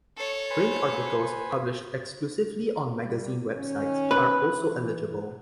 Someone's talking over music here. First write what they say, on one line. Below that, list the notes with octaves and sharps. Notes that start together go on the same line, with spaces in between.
Print articles published exclusively on magazine websites are also eligible.
A4 C#5
B4 C5 G#5
G3
D#3 C#4
B4
E3